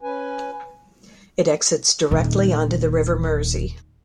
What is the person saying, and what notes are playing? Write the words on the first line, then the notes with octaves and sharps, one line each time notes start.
It exits directly onto the River Mersey.
C#4 B4 G#5
D#1 D#4